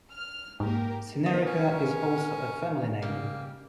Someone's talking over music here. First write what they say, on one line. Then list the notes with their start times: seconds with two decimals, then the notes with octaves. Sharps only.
Senarica is also a family name.
0.10 F6
0.60 G#2 A#3 G4 A#4
1.26 B3 A#4 D#5
1.47 C#4
3.02 C#3 G3 A#3